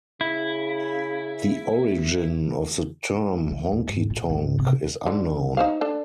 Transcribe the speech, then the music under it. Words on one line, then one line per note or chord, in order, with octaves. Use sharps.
The origin of the term "honky-tonk" is unknown.
C#3 E4
E3
D#2
G#2
A#2
G#2
C3
D3
D#4 C5 F5
D4 A4